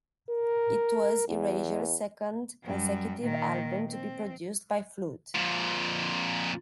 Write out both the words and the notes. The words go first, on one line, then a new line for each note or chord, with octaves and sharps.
It was Erasure's second consecutive album to be produced by Flood.
A#4
E2
F#2 G3
A#2 D#3
C4
F2 A#2